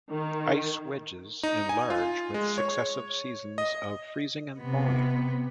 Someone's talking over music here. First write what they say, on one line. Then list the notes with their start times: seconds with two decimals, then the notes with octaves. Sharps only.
Ice wedges enlarge with successive seasons of freezing and thawing.
0.11 D#3
1.43 D#4
1.69 G#5
1.90 F4
2.34 G#3
2.58 C#5
3.58 D#5
4.60 C3 B3